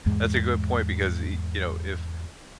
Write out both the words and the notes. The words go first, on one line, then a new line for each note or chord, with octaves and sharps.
that's a good point because, e you know, if
E2 G#2 G#3